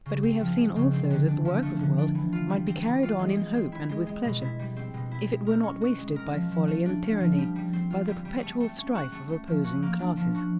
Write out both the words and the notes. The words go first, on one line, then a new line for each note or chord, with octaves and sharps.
But we have seen also that the work of the world might be carried on in hope and with pleasure if it were not wasted by folly and tyranny, by the perpetual strife of opposing classes.
C#3
C4
F3
G#3
C#3
C4
D3
D4
F3
A3
D3
D4
E3
F4
G3
C4
E3
F4
G#3
G#3
C4
E4
G#3
G#3
B2
E4
G3
C4
B2
E4
G#3
A#4
C#4
F#4
G#3
A#4
F3
F3
A3
D4
F3
F3
G3
G3
C4
F4
G3
G3
A3
A3
C#4
F#4
A3
A3
F3
F#4
A#3
D4
F3
F#4